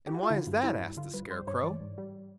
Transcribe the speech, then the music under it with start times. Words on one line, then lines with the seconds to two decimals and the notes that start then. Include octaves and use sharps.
"And why is that?" asked the Scarecrow.
0.07 G4
0.14 F#4
0.23 F4
0.30 D3 E4
0.47 G2
0.63 G3 E4
0.81 G2
0.97 D3 F4
1.14 G2 B4
1.30 G3 C5
1.47 G2 C#5
1.64 E3 D5
1.81 G#2
1.98 G3